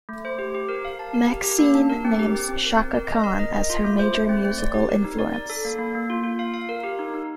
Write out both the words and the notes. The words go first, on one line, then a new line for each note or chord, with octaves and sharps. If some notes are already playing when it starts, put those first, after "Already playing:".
Maxine names Chaka Khan as her major musical influence.
A3
C5
G4
G4
A#4
F5
A5
A#4
G4
G4
A#3
D4
A#4
C4
G4
C4
C4
A#4
C4
A#4
D#5
A#4
D#5
D#5
F4
A3
C5
A3
C4
C4
D5
G4
A#4
D#4
D5
D5
A4
A#3
A#3
A#3
F4
F4
F5
F5
A#4
G4
D#4
D#4